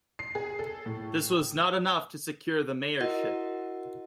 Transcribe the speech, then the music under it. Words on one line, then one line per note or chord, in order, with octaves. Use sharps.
This was not enough to secure the mayorship.
C7
G#4
A4
A2
E4 F#4 A#4 D#5 F#5